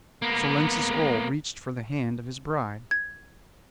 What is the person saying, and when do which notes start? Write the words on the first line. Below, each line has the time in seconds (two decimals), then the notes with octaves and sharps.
Salensus Oll reached for the hand of his bride.
0.22 A#3 B3
2.91 G#6